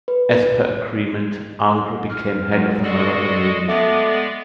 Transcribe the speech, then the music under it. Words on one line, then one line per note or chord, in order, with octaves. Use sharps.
As per agreement, Angre became head of the Maratha Navy.
B4
F6
G#2 F#3
G#3 F#4 A4 D5 D#5
G#3 A3 B3 D5 D6